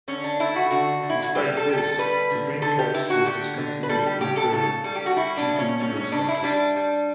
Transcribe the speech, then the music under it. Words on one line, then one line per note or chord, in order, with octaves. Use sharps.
Despite this, the Dreamcast was discontinued prematurely due to numerous factors.
D3 C#4
D4
A3 E4
F#4
D3 F#4
D3
E4
F#4
G3 G4
A4
D3
G4
A4
G3 B4
D3
D3 A4
G4
D3 E4
F#4
D3 G4
D3
B4
G3 A4
G4
C#3 G4
A4
C#3 A4
G3 A4
G4
F#4
G3 E4
D4
C#3
C#4
G3 C#4
C#4
C#3 D4
E4
G3 D4
G3